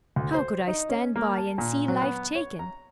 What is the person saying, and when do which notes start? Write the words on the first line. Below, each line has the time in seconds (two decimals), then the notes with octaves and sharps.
How could I stand by and see life taken?
0.16 D2
0.34 C5
0.68 D#4
0.89 C#4
1.16 A#3
1.38 A5
1.58 A#2
1.88 F#3
2.02 B3
2.35 C#5
2.59 A#5